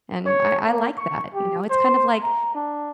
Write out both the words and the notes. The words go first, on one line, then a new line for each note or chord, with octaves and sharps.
and I I like that, you know? It's kind of like
C#5
A#3
C#6
G4
C5
A#5
D4